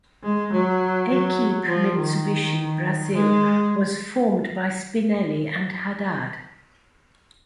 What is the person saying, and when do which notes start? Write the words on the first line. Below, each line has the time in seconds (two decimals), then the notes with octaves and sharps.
Equipe Mitsubishi Brasil was formed by Spinelli and Haddad.
0.23 G#3
0.52 F#3
1.10 F#3
1.68 F3
1.97 D#3
3.12 G#3